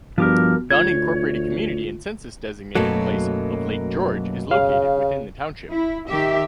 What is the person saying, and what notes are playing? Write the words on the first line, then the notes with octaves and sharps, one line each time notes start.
The unincorporated community and census-designated place of Lake George is located within the township.
G2 F3 B3 F#4 G4 A#4
D2 F4 C#5 G#6
F#2 B2 F#3 A3 A#3 A4
C#3 F5
E4
D#3 G4 E5